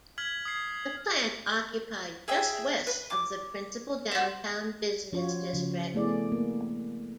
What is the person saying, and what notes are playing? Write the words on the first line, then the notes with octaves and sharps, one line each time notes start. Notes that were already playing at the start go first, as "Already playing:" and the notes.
The plant occupied just west of the principal downtown business district.
F6 G#6 B6 F#7
D#6 G#6 C7
G#4 E5 G5
B4
D6
C4 F#4
F3 C#4 F4 F#4 C#5
C#3 F3
A3 B3 E4 G#4 D5
A#3